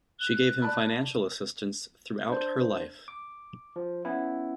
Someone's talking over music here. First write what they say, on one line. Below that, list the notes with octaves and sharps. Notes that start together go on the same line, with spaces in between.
She gave him financial assistance throughout her life.
F#6
D5 A5 B5
D4 C5
D6
F3
B3 C#4 E4